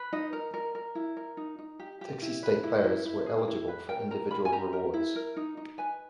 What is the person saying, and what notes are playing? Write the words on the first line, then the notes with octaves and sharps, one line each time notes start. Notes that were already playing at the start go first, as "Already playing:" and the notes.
Dixie State players were eligible for individual rewards.
Already playing: B4
D#4 D#5
A#4
A#4
A#4
E4
A#4
D#4
D#4
G4
G4
E4
B4
E4
E4
E4
G#4
E4
B4
A#4 G5
A#4 A#5
A#4 B5
G#5
G4 A#5
A#4
E4
A#4
D#4
D#4
B4 G#5